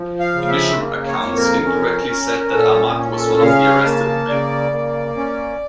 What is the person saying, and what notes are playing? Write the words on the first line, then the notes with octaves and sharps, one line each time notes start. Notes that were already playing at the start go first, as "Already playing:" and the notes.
Initial accounts incorrectly said that Ahmad was one of the arrested men.
Already playing: F3
F5
C#3
E5
A#3
C#5
F2
A#4
C#4
C#4
A#2 A4
C#4
A4
C#3 F5
A#3 A5
C#3 D5
A#3
C#4